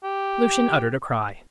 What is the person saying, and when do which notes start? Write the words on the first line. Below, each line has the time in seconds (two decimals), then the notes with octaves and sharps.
Lucian uttered a cry.
0.04 G4